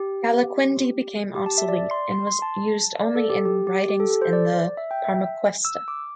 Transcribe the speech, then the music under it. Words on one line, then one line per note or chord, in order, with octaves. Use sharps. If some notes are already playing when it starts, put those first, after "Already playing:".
"Calaquendi" became obsolete, and was used only in writings in the Parmaquesta.
Already playing: G4
G4
A5
E5
D5
C6
C6
C6
A5
D5
A4
G4
G4
G4
G4
A4
A4
C5
D5
E5
G5
E5
E6
D6